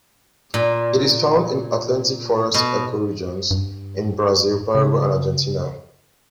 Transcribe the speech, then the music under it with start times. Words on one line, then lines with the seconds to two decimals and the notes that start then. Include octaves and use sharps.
It is found in Atlantic Forest ecoregions, in Brazil, Paraguay and Argentina.
0.54 A#2
2.54 B2
3.51 G2
4.75 C#3